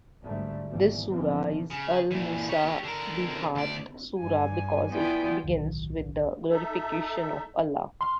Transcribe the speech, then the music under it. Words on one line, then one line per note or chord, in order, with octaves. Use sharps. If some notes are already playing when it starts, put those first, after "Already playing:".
This sura is a Al-Musabbihat sura because it begins with the glorification of Allah.
G#1 D2 G#2 D3 G3 A3
G#1 B2 E3 G3
A#2 D3 E3 F3 B3 C4
C#3
A#2 E3
G4 C#5
D3 A#4
D2 D5
G2 G#5
B3 E4 F4 D5 G5 G#5
D1 B1 D#3 F#3
D#4 A4 E5
C6 F6